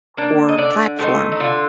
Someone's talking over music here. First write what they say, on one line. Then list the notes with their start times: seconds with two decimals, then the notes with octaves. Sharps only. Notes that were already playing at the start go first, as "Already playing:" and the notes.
or platform
0.17 A#3 D4
0.49 D#5
0.58 D3 D5
0.99 A3 C4 D#4 G4
1.32 D#4
1.40 D3 F4